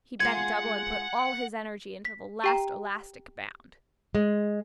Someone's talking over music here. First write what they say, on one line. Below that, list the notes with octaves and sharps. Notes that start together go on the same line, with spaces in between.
He bent double, and put all his energy into the last elastic bound.
G#3 F4 G#4 F#5 G#6
B6
G4 G5 A#5
G#3